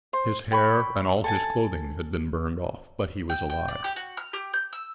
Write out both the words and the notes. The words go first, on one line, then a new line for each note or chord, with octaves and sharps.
His hair and all his clothing had been burned off, but he was alive.
C5
G5 B5 C#6
A4 G#5 A5
G5
G5
D5
G4
F#4
F6
G4
G6
E6